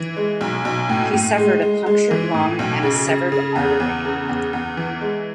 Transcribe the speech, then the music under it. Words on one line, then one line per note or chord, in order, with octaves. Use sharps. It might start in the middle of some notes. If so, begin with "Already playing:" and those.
He suffered a punctured lung and a severed artery.
Already playing: E3
G#3
B1
B1
A2
A2
G#3
G#3
G#3
E3
A2
B1
C#3
C#3
C#3
E2
E2
C#3
E2
E2
E3
G#3